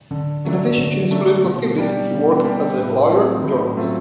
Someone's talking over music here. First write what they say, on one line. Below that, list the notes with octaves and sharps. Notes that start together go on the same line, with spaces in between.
In addition to his political activities, he worked as a lawyer and journalist.
D3
F#3 A3 D4
D3
F#3 A3 D4
B2
G3 A#3 D4 G4
B2
G3 A#3 D4 G4
A2
F#3 A3 C4 F4
A2
F#3 A3 C4 F4